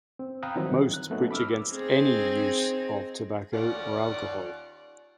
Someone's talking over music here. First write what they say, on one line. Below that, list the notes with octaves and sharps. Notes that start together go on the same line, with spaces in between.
Most preach against any use of tobacco or alcohol.
C4
F5 G5 A#5 B5 D#6 F#6
D#3 E3 F#3 G3 C4 E4
F#6
F#3 A3 B3 C#4 D#4 F#4
B5 D6 E6 F6
C4 D#4 G#4
D#2 C#4 F4 D5 F#5